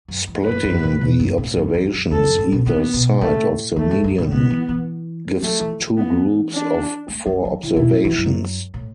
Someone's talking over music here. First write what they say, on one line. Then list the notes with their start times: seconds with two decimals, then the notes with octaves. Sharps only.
Splitting the observations either side of the median gives two groups of four observations.
0.08 F#2
0.27 E2
0.46 F#2 B4
0.64 F#2
0.83 A2
1.01 B2
1.19 F#2
1.38 A2
1.56 F#2
1.74 E2
1.93 F#2
2.11 E2 A4
2.26 F#2
2.38 A2
2.52 B2
2.66 D3 B3
2.94 B2
3.21 A2 A3
3.76 E2 A3
3.91 F#2
4.04 F#2
4.18 A2
4.32 B2 B3
4.50 E3
4.69 E3
5.42 F#3 A3
5.61 E3
5.80 E3
5.98 B3
6.53 D4
7.08 A3
7.26 F#3
7.45 F#3
7.63 D3 E4
7.76 B2
7.91 A2
8.05 E2
8.18 F#2
8.74 A2